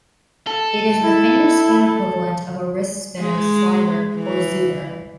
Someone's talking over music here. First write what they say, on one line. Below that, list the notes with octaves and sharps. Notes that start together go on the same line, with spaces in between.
It is the finger spin equivalent of a wrist spinner's "slider" or "zooter".
A4
E4
G#3
E3